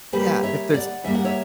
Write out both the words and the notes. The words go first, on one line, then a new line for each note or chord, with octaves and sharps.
Yeah, if there's
C#3 G3 A#3 G4 B4
C#5 E5
D5 F#5
C#3 G3 A#3 E5
F#5
C#5 E5